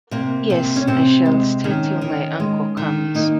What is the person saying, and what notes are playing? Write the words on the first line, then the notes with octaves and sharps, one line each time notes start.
Yes, I shall stay till my uncle comes.
C3 A#3
C3
C#4
C3 C4
G#3
D#3 C#4
D#3
G#3
D#3
A#3 D#4